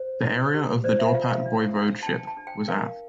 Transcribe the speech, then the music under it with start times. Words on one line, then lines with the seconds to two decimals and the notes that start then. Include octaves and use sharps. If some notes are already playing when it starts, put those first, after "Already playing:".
The area of the Dorpat Voivodeship was app.
Already playing: C5
0.23 E4
0.54 G4
0.84 C5 D5
0.99 E5
1.14 F4 F5
1.30 F5
1.46 D4
1.76 D4
2.03 A5
2.06 D4 G5
2.27 A5
2.37 D4
2.47 G5
2.68 A#4 F5